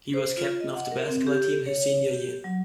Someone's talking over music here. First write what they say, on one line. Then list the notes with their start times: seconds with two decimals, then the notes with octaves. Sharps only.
He was captain of the basketball team his senior year.
0.14 C5
0.37 F4
0.60 D#5
0.75 F#5
0.92 A#4
1.08 C4
1.27 G4
1.66 C#5
2.13 G4
2.44 F#3